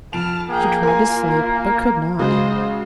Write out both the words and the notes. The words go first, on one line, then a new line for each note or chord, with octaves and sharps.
She tried to sleep, but could not.
F2 A5 F6 D7 F7
A#3 G#4 G5
F4 A#4 G#5
C#3 F#3 G#3 C5 D#5